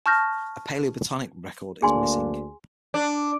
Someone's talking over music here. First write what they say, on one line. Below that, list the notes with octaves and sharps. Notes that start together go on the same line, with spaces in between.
A Paleobotanic record is missing.
A5 C#6 F6 G6 A#6
D2 A#3 D4 G#4 G#5 C6
D4